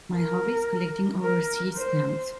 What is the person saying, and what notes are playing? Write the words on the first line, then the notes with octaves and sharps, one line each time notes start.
My hobby is collecting overseas stamps.
A#4
A#4
C5